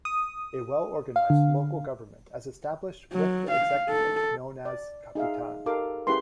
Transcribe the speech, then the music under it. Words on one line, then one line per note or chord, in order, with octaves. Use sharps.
A well organized local government as established with the executive known as "Capitan".
D#6
F5
D3
F#3
F5
A4
D5
D#4 G#4 E5 F5
D#4 G4 A4 A#4 F5 D6
C#4 E4 G4 G#4 B4 C6